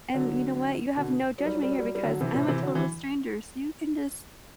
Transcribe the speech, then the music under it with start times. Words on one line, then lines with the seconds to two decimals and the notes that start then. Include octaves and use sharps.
And you know what? You have no judgment here because I'm a total stranger, so you can just
0.14 D3 F#3
0.97 B2 D3
1.38 F#3
1.46 G3
1.55 F#3
1.63 G3
1.71 F#3
1.79 G3
1.87 F#3
1.95 G3
2.03 D3 F#3
2.14 D3
2.21 C3 E3
2.34 A2 C3
2.48 C3 E3
2.62 D3 F#3
2.75 E3